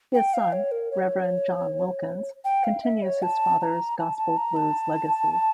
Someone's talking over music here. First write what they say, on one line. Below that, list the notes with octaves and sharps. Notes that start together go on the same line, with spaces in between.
His son, Reverend John Wilkins, continues his father's gospel blues legacy.
G5
F5
C#5
A#4
C#5
G5
F5
E5
C#5
A5
A#5
A5
A5
A#5
A5